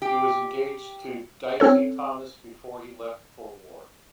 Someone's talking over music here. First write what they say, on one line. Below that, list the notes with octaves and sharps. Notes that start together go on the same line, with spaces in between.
He was engaged to Dicey Thomas before he left for war.
G4
C4 C#4 A4 C#5